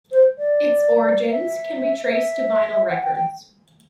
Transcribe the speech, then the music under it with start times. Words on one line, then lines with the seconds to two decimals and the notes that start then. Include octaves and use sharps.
Its origins can be traced to vinyl records.
0.12 C5
0.38 D5
1.31 E5
2.11 E5
2.90 F#5
3.03 G5
3.16 G5